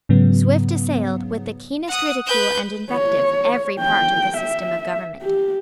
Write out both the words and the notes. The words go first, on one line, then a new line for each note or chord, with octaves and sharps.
Swift assailed, with the keenest ridicule and invective, every part of the system of government.
G#2 C#3 F#3 B3
F#5 D#6
B4 G6
C#5
G5
E5
G4